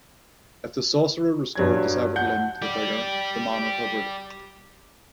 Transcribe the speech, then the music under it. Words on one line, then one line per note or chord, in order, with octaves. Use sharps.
If the sorcerer restored the severed limb to the figure, the man recovered.
G2 F#3 G#6
F#5 G6
G4 D5